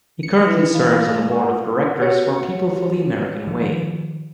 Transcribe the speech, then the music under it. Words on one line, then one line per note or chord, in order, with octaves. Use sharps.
He currently serves on the Board of Directors for People for the American Way.
C#7
E3
D#5 F5 B5
A#6
G#3
F#5 G#5 C#6
F#4 G4 C#5 C#7
D#3 F3